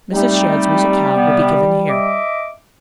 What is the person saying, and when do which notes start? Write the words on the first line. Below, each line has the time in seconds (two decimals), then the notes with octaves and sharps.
Mrs. Shadd's musicale will be given here.
0.13 G3 A3 C4 D#4
1.16 C3 B3
1.89 D#5 E5 D6